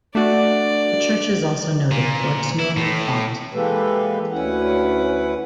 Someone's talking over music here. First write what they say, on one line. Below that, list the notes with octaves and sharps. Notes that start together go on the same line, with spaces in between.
The church is also noted for its Norman font.
A3 D4 F#4 D5
A#2
E4
A2
E3 G#3 A#3 G4 A4 B4
D2 C#4 E4 B4 F#5